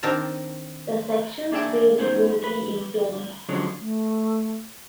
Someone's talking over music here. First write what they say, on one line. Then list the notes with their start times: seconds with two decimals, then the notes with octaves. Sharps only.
The sections vary greatly in tone.
0.03 D#3 C4 D4 A#4 A5
1.52 A#3 D4 G#4 D5 E5 G5
1.98 B3 C#4 D#4 C5
2.44 B4
3.49 D3 F3 F#3 G#3 C#4 D4
3.79 A3